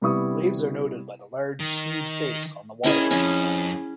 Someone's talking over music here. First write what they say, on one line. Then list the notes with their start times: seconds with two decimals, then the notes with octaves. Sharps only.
Waves are noted by the large smooth face on the water rushing down.
0.01 C3 G3 B3 E4 C#6 D#6
1.60 D#3
2.84 C#4 E4 G#4 A#4 D#5
3.11 F2 C#4